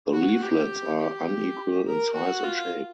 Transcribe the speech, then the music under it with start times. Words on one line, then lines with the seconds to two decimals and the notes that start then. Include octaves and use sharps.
The leaflets are unequal in size and shape.
0.13 F#4
0.42 G4
0.99 G4
1.86 A#4
2.14 F#4
2.44 F4